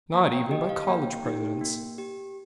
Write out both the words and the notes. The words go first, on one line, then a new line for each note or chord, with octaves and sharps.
Not even by college presidents.
A#3 A#5
G5
G4 D#5
F5
A#3 G5
D#4 G4
A#3
G4